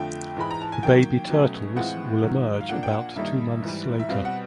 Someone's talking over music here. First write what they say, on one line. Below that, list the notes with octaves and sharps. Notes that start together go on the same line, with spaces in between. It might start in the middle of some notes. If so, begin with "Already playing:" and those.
The baby turtles will emerge about two months later.
Already playing: F2 D3 F3 A3 G5
G#2 E3 G#3 B5
A#5
A5
G#5
D#3 F#3 A#3 G5
B2 F#3 A3 C#4
A2 E3 G#3 C4 F4 F#5
G#2 D#3 F#3
F5
A#2 F3 A#3 D4 F#5
G5
F#5
G2 D#3 G3 A#3 D#4 E5
G#2 E3 G3
E5
B2 G3 C4 F5
F#5